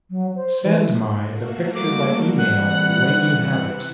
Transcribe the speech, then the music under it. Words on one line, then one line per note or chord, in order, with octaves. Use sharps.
Send my the picture by email when you have it.
F#3
C5
E3
A3 A#3 F#4
G3 D6
C3 E3 F#5